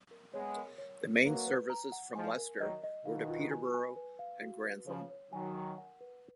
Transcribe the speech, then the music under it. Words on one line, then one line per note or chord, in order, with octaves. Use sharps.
The main services from Leicester were to Peterborough and Grantham.
A#4
G#3 B3 C#5
A#4
C#5
A#4
F#3 A#3 B4
B4
A#5
F#5
F3 G#3 G#5
A#4
D#3 F#3 D#5
D#5
B2 D#3 F5
F4
G#5
G#5
B4
F5
F#4
B4
C#3 F3 C#5
C#5
D#3 F#3 G#5
A#4
F#5
B4